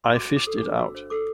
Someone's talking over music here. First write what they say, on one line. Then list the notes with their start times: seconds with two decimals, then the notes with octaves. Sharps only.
I fished it out.
0.04 C6
0.15 F#4 D6
0.31 C5
0.36 D6
0.47 A4
0.58 D6
0.63 D4
0.79 F#4 E6
0.95 C5
1.10 A4 D6